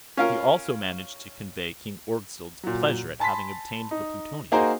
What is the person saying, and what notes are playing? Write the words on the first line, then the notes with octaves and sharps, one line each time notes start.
He also managed to convey King Orgzild's pleasure at having obtained the plutonium.
C#4 F4 A#4
A#2 F#3
G#5 A5 B5 C6 B6
D#4
A#3 D#4 F#4 G#4 A#4 C5